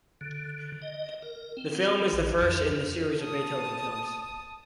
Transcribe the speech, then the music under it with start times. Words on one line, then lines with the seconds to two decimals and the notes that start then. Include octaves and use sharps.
The film is the first in the series of "Beethoven" films.
0.21 D3
0.82 D#5
1.22 A#4
1.57 C4
2.12 A#1
2.42 F2
3.23 A5 D#6